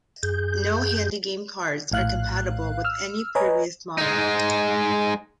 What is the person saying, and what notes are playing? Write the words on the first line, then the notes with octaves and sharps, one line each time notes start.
No HandyGame carts are compatible with any previous model.
F#2 G#4 G6
A#1 A2 F5 F#6
E6 F6
B4 C#5 D#5 G#5 A#5
G#3 D#4